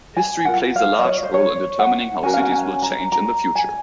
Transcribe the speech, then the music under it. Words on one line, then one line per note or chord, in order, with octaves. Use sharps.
History plays a large role in determining how cities will change in the future.
G#5
F4 A#4 F#5
F5
D#5
C#5
C5
C#5
F#5
C#4 F#4 A#4 G#5
F5
F#5
G#5
A#5
A#5
G#5